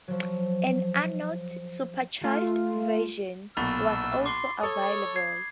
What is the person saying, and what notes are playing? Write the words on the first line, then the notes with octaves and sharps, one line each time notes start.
An Arnott supercharged version was also available.
F3 F#3
A3 F4
B1 A#2 B5 C#6 E6 A6
C6 D6
A4 C#5 D#6
G#6 C7